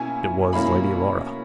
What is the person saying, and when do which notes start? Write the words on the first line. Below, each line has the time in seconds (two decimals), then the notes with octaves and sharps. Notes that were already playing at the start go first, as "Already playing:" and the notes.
"It was Lady Laura."
Already playing: B2 A#3 C#4 E4 G#5
0.53 B2 A#3 C#4 E4 B5